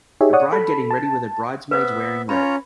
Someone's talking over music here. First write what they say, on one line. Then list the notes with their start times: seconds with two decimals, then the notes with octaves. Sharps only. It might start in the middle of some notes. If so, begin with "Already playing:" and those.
A bride getting ready with her bridesmaids wearing red.
0.21 D#4 G4 G#4 C#5 E5
0.33 C#5 D5 F#5 D#6
0.53 A4 B5
0.91 A5
1.71 B3 B4 C5 E5
2.29 C#4 F4 C#5 A#5 B5